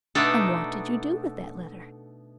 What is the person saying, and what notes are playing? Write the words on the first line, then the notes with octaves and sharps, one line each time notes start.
"And what did you do with that letter?"
B2 A3 B3 D4 D#4 A4